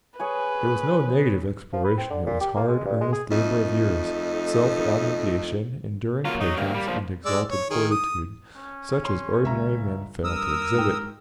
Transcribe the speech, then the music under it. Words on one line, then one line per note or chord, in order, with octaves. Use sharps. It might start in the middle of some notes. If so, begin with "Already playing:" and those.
It was no negative exploration, it was hard, earnest labor of years, self-abnegation, enduring patience, and exalted fortitude, such as ordinary men fail to exhibit.
G#4 B4 C#5 G#5
F3
B4
C4
D3
A#2
G4
A#3
G#3
G2
G#3
G#4
F2 A3 D#4
F#3 A#3 F4
F#3 D#4
D2 G2 A#3
G3
A#2 F3
G#3 D5 E6
C#5
D#3 G#4
D#6
C#4
C#5 C6
C#2 E5 A#5
G2 A#4 D#6 E6
G#2 G5